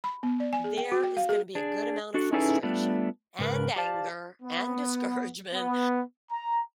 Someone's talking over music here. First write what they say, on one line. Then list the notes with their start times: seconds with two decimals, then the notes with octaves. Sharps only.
there is gonna be a good amount of frustration and anger and discouragement,
0.04 B5
0.23 B3
0.40 D5
0.53 G#5
0.64 G#4
0.77 G5
0.92 F#4
1.03 G5
1.17 F5
1.29 G#4
1.55 D4 G#4
2.14 D4 F#4 A4
2.33 C#4 D#4 E4 G#4 A4 B4
2.63 G3 A3 B3 D4 F4
3.39 G#2 C#3 A#4 B4
3.76 G4 C5 D5 F5 A5
4.42 B3
5.54 B3
6.32 A#5